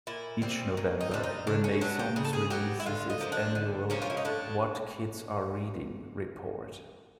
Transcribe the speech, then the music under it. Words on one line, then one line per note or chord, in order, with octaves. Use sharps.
Each November, Renaissance releases its annual "What Kids Are Reading" report.
A#2 E4
G3 C4
A#2
D#4
G3 C4 D4
D#4
C#3 D4
C#4
F#3 B3 D4
G4
C#3 G#4
A4
G#4
F#3 B3 G4
E4
D3 F4
D#4
F3 A#3
D4
D3
F3 A#3 C#4
F4
E4
D#4
A2 D4